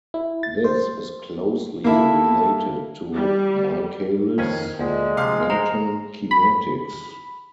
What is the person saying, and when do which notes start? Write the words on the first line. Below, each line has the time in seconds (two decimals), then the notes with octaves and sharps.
This is closely related to Michaelis-Menten kinetics.
0.14 E4
0.43 A6
0.64 C5
1.84 A#3 E4 A4
3.13 G3
4.38 F2 D#3 C#4 G#5
4.79 D2 A#2 G#3
5.17 C3 F3 F5
5.50 A#4 C5 F#5 A#5
6.31 B5